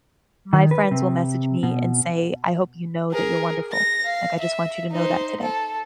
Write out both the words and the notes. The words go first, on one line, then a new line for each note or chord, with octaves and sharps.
my friends will message me and say, "I hope you know that you're wonderful. Like, I just want you to know that today."
D#3
B4
C3
B2
G#4 A#4
A#6
F5
E5
D#4 C5
A4